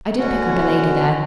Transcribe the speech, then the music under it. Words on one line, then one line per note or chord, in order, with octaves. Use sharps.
I did pick up a lady there.
B2 D3 C#4 F#4